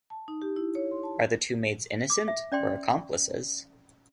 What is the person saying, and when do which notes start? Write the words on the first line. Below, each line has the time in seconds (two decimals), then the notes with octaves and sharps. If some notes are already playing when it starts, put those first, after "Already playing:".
Are the two maids innocent or accomplices?
0.10 A5
0.28 D#4
0.42 G4
0.56 E4
0.75 C#5
0.91 C6
1.03 A5
2.10 D6
2.28 E5
2.52 C#4 D5 G5 C6